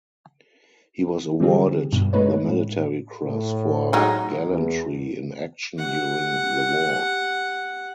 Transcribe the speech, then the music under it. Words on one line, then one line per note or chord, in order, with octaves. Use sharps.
He was awarded the Military Cross for gallantry in action during the war.
D3 E3 G3 C4 G4 G#4
G2 B2
G#3 A3 D#4 B4 C#5
A2
A2
F#3 G#3 D#4
E2
G4 F#5